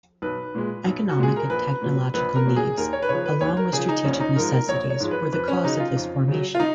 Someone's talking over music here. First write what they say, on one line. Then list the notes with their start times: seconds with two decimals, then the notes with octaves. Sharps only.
Economic and technological needs along with strategic necessities were the cause of this formation.
0.22 B1 B4
0.55 A#2 G#3
0.86 B1
1.09 F#4
1.18 A#2 G#3 G#4
1.36 A#4
1.50 A#1 B4
1.82 A#2 F#3
2.14 A#1 B4
2.35 A#4
2.46 A#2 F#3
2.56 G#4
2.77 D#2 A#4
2.93 C#5
3.03 B4
3.09 C#3 F3 C#5
3.26 B4
3.41 D#2 C#5
3.57 A#4
3.73 C#3 F3 G#4
3.89 D#4
4.05 A#1 C#4
4.20 D#4
4.36 G#2 F3 G#3 A#4
4.52 A#4
4.68 A#1 C#5
4.90 C#5
5.00 G#2 F3 G#3
5.11 B4
5.32 F2 B4
5.48 C#4
5.64 C#3 F#3 D#4
5.80 F4
5.97 F2
6.28 C#3 F#3
6.55 F4
6.60 D#4